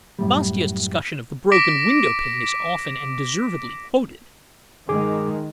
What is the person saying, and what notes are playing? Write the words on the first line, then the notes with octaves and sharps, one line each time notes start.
Bastiat's discussion of the broken window-pane is often and deservedly quoted.
F#2 A2 G3
D6 A#6 B6 D7
G2 D#3 G#3 G#4 D6